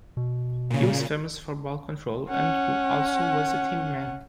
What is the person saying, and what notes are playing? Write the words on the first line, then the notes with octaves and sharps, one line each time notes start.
He was famous for ball control and also was a team man.
B2
A#2 C#3
C#4 F#5